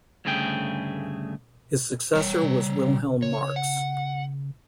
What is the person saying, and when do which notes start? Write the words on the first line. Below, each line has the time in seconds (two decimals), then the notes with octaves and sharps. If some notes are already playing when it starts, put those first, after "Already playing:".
His successor was Wilhelm Marx.
0.25 D2 G2 C#3 A3 G#4 G5
2.15 F1 G3 C#5
2.42 C3
2.66 C#3
3.22 C#3 C#5
3.56 F#5